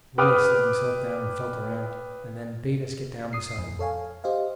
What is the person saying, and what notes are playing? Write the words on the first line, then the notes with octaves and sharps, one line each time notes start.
Willis let himself down and felt around, and then bade us get down beside him.
B4 G5 D6 D#6 F6
D#6 C7
F2
A4 C#5 F5 G#5
G4 C5 D#5 F5